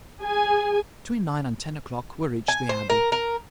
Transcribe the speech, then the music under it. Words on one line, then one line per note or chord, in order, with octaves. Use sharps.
Between nine and ten o'clock we reached the Abbey.
G#4 G#5
G#5
C5
A#4
A#4